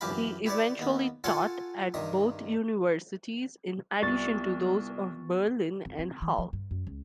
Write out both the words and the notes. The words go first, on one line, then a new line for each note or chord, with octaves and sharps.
He eventually taught at both universities in addition to those of Berlin and Halle.
F#2 E3 G4 F5 B5
E4 G4 B4 C#5 D5
D#2 B3
F4 A4 C#5 F#5 G#5 A5
G2 C3 D#3 D#6
C2 B3 F4 C#6 A6
F2
C4
E3
F3
G2
F#2
C#2